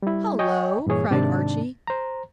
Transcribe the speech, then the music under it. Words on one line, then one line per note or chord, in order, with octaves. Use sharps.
"Hullo!" cried Archy.
G3 E4
C#5 D#5 G5 G#5 C#6
G2 A#2 E3 G#4 C#5
G#2 C3 D#3 D4 D5 A5
C5 A#5